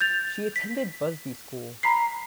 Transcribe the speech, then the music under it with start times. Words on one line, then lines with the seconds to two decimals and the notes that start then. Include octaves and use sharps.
She attended Busby School.
0.01 G6 A6 F7
0.56 B6
1.83 A#5 B5 B6 C7